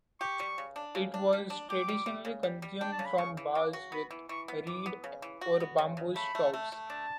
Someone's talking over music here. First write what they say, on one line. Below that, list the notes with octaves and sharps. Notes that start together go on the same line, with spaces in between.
It was traditionally consumed from jars with reed or bamboo straws.
G4 C#6
G3
C#3
D4
C#3
D4
G3
D4
G4 D6
G3
G3
C#3
G3
G3
D4 G5
A5
C#3
B5
C#3 C#6
E3
C#3 D6
F#4
B3 B5
E3
E3 C#6
B3
E3 D6
B3
C#3
E3
F#4
B3
C#3
C#3
A3 B5
A3
A3
A3
D4 A5